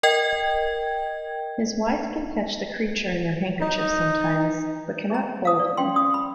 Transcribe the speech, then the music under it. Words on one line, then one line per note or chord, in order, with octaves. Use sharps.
His wife can catch the creature in her handkerchief sometimes, but cannot hold him.
A#4 D#5 G5 G#6
D#4
G#4 A#5
F5 D#6
D5
C#4 F5 G5 C6
D5 D#6
B5